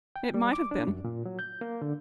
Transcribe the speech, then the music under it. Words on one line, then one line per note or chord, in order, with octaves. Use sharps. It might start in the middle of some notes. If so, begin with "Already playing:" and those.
It might have been.'
G5
G3
D6
D4
F#2
A#2
F#3
G6
A#3
D3